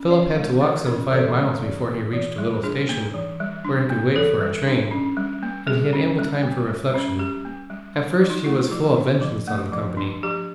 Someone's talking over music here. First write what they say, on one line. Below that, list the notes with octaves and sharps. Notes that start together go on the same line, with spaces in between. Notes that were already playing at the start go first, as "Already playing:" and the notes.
Philip had to walk some five miles before he reached a little station, where he could wait for a train, and he had ample time for reflection. At first he was full of vengeance on the company.
Already playing: C#4
E3 D5
G#3 C#5
E3 C5
C#4 A#4
E3 A4
G#3
E3
A#3
E3
G3
D4 G#4
A#3
E3
G3
D4
A#3
E3 A4
G3
D4
C#4
G3
A#3
G3 G#4
C#4
G3
A#3
G3
C#4
G3 G4
A#3
G3
D4
F3
D#4
A3 E4
F4
F3 F#4
D4
F3
A3
F3
D4
F3 G4